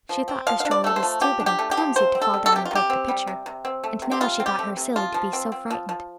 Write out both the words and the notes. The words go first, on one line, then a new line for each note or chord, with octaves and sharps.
She thought Estralla was stupid and clumsy to fall down and break the pitcher, and now she thought her silly to be so frightened.
F3
C4
F3 F5
D4 F5
D5
A3 A4
C5
F3
F3 G4
D4
G4
A3
G4
F3
C3 C5
C4
A4
G3
A4
C3 G4
F4
C3 G4
C4
G3
C3
C3
C4
A3
C3
G4
C3 F4
C4
G4
A3
C3
F3 F4
F3
C4
C4
F3
F3